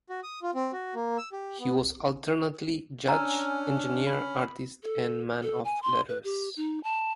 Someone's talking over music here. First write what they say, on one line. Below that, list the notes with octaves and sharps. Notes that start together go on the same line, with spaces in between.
He was alternately judge, engineer, artist, and man of letters.
F#4
D#6
F4
C4
F#4
A#3
E6
G4
B3
C#4 D4 G#5 A#5 E6 F6
B5
A4
A4
G#5
C6
B4
G4
D#4
A5